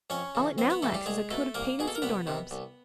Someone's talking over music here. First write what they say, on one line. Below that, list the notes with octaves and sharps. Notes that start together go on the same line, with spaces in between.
All it now lacks is a coat of paint and some doorknobs.
F2 C#4 C#5
C#3 E3
F2 C4 C5
B3 B4
C#3 E3 A3 A4
G3 G4
C2 G#3 G#4
B2 A3 A4
C2 A#3 A#4
B2 G#4
A4
A#4
C2 B3 B4
C3 D#3
C2